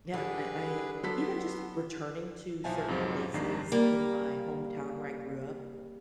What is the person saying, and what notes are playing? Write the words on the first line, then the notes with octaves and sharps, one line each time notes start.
yeah, I I even just returning to certain places in my hometown where I grew up,
D3 G3 G#4 B4
F#3 B3 A4 C6 B6
B1 F3 E5 F5 G#5 A5
F2 G#2 C3 F3 F#3
G#1 D#2 D#3 D4 A#5 C7
G3 A#3